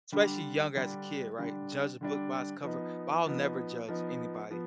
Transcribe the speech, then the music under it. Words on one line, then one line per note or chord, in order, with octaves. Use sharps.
especially young as a kid, right, judge a book by its cover, but I'll never judge anybody
D3 G3 D4
D3 G3 D4
D3 G3 D4
D3 G3 D4
F3 B3 D#4
F3 B3 D#4
F3 B3 D#4
F3 B3